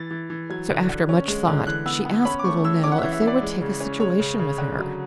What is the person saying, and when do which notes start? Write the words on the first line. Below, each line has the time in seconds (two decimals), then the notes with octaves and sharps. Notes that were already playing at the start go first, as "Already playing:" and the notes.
So, after much thought, she asked little Nell if they would take a situation with her.
Already playing: E3 A6
0.11 E3
0.30 E3
0.50 F#3 G#6
0.70 D3
0.89 D3
1.09 C#4
1.27 G#3
1.48 D3
1.67 E3 F#6
1.86 B3 E6
2.05 B3
2.25 C#4 B5
2.39 D6
2.44 A3 C#6
2.64 E3 E6
2.83 C#4 D6
2.92 F#5
2.98 E5
3.03 E3
3.12 E5
3.22 E3
3.27 D5
3.42 G#3
3.61 C#3
3.80 C#4
4.00 G#3 C#5
4.20 C#3
4.39 C#3
4.58 D3
4.79 F#3